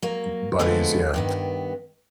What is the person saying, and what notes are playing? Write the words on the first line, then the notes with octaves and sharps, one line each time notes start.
b b buddies, yeah,
F#3 A#3
D3 F3 G#3 A3 B3 E4
G2 D#3 B3